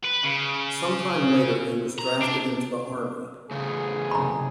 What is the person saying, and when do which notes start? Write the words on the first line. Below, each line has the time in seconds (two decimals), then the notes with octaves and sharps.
Some time later he was drafted into the army.
0.05 B4
0.24 C#3
1.99 A#5
2.21 D4
3.51 A2 C#3 A3 G#4
4.11 F#1 C3 A#5 B5